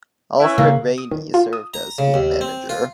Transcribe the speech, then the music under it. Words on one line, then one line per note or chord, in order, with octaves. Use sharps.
Alfred Ranney served as team manager.
E3 C#4 E4
C#3 A#3
D#6
D#3
F4
D#6
A#5
C#3
D#2
C4
F4